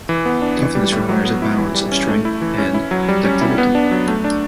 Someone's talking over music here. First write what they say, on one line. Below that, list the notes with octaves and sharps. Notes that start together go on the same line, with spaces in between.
Toughness requires a balance of strength and ductility.
E3
B3
D4
E3
G3
A2
F#3
B3
E4
E3
G3
C#4
A3
E4
E3
C#4
E4
F#3
G3
C#4
E4
B3
D4
F#3
A3
D4